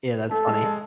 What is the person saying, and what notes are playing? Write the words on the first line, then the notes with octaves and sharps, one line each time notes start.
Yeah, that's funny.
A3 A4
G#3
G#3